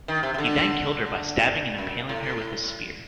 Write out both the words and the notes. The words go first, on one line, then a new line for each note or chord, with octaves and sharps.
Then he killed her by stabbing and impaling her with his spear.
D#3
C3
C3
D3
F#2
A2